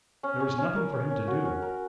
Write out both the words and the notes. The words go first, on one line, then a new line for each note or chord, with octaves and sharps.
There was nothing for him to do.
C#4
C#4
C#4
A#4
C#4
C#4
F#4
C#4
A#4